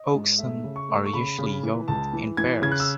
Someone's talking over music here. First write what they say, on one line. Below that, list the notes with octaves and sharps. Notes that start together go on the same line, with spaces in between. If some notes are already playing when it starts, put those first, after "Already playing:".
Oxen are usually yoked in pairs.
Already playing: D#5
G#2
A3 E5
C#3
C#6
A3
C#6
C#3 B5
C#3
E3
C#2 A5
E3
E3 G#6
C#3 G#6
F#6
E6